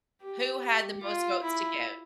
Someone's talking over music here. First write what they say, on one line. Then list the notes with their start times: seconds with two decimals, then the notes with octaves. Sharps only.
who had the most votes to get.
0.22 G4
1.03 F4
1.43 E4